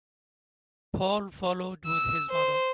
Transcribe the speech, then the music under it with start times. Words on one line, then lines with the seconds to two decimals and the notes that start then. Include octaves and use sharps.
Paul followed with his mother.
1.86 E6
2.30 C5